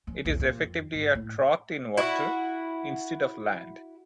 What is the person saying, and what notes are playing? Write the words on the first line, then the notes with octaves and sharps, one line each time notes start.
It is effectively a "trot" in water, instead of land.
F3 C#4
B1 E2
A#2
F2
G#1
A2
E4 F#4